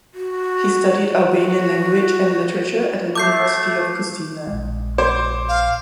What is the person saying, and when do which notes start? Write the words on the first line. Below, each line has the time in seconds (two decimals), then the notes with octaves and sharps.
He studied Albanian language and literature at the University of Pristina.
0.14 F#4
1.30 F#4
3.15 A3 D6 G6 C7
4.47 A#1 G#3
4.98 C5 D6
5.48 F5